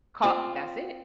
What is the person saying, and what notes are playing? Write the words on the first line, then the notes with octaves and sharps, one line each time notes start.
Call That's it.
C4 F4